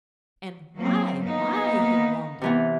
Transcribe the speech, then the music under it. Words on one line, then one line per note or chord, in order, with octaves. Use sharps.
"And why--why?" he wondered.
F#3 A#3 C4
A#3 B3 D#4
C3 E3 B3